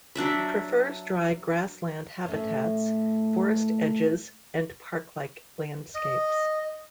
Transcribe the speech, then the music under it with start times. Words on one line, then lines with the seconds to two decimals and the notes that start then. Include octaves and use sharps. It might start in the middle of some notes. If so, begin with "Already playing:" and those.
Prefers dry grassland habitats, forest edges, and park-like landscapes.
0.15 F#3 D4 D5 E5
2.26 A2 A3 C#4
5.95 D#5